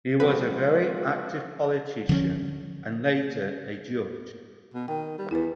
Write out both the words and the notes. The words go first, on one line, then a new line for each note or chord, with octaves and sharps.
He was a very active politician and later a judge.
F3 G#3 C4 F#4 B4
D3 F3 A3 C#4
B2
D#3 G5
G3
E2 E4 B4